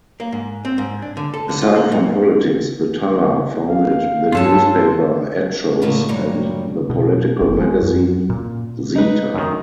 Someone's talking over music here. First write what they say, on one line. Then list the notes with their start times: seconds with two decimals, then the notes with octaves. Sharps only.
Aside from politics, Batalla founded the newspaper "Hechos" and the political magazine "Zeta".
0.20 A#3
0.32 G#2
0.65 C4
0.78 G#2
1.02 D4
1.17 D3
1.34 A4
1.49 D3
1.62 F4
1.76 A#3
1.92 A#2
3.70 F5
4.32 G2 C#4 F4 A4 A5
5.82 A2 D3 D#3 A3 A#3
6.09 G2 A#2 F#3 G3
6.90 B2
7.41 F#1
7.61 G#3
7.82 F#2
8.30 A#2
8.95 D#4 B4
9.34 F#2 D#3